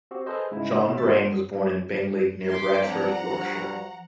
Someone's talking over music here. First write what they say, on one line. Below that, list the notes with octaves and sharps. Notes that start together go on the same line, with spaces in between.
John Braine was born in Bingley, near Bradford, Yorkshire.
C4 F#4 G4
G#4 A4 B4 C5 D#5
G#2 C#3 G#3 E4
A1 E5 A6
G1 A#2 D3 C5 F#5 C6
C6 D6 B6
F3 C4 D4 F#5 A#5
G2 F#4